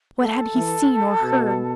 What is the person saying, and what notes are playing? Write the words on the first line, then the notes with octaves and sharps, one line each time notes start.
What had he seen or heard?
A4
E3
B2